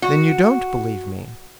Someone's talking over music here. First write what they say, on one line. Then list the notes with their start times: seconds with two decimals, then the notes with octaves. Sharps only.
"Then you don't believe me?"
0.02 F#4